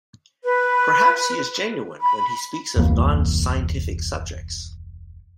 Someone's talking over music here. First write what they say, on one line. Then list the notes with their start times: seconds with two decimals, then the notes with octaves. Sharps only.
Perhaps he is genuine when he speaks of non-scientific subjects?
0.44 B4
2.02 B5
2.76 F1 D2 E3 A#3